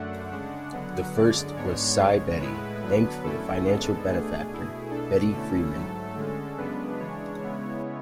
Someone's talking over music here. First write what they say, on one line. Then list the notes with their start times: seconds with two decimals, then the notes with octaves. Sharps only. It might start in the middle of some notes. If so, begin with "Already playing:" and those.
The first was Si Betty, named for the financial benefactor Betty Freeman.
Already playing: F#2 D3 A3 D4 F#5
0.32 C#3 G#3 D4
0.73 D3 F#3 B3
1.15 F#2 D3 G#3 D5
1.57 G#2 G#3 B3 D4 C#5
1.99 F#2 C#3 G#3
2.40 A2 G#3 B3 E4 B4
2.83 D3 F#3 B3 D4
3.24 F#2 D3 A3 C#4 E4 A4
3.65 G#2 G#3 B3 D4
4.07 B2 A3 D4 G#4
4.50 B2 A3 E4
4.91 B2 A3 D4 A4
5.32 D3 A3 C#4 E4
5.74 G#2 F#3 A3 A4
6.17 D3 G#3 C#4
6.58 F#2 C#3 G#3 B3 D4 B4
7.00 C#3 E3 G#3 D4 C#5
7.41 C#3 G#3 B3 E4 C#5